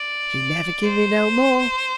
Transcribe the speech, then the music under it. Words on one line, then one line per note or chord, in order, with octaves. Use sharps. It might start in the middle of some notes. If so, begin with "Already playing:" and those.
"She never give me no more."
Already playing: D5
C5